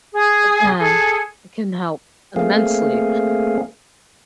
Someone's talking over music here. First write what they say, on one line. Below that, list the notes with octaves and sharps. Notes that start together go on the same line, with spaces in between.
Again, it can help immensely,
G#4 D#6
G#4 A4
A3 A#3 C4 G#4 F5